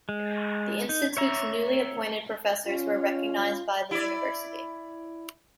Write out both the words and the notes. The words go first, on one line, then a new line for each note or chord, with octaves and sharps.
The Institute's newly appointed professors were recognised by the university.
G#3
D#4
C#5 E5 A#5
C#4 F4
E4 D5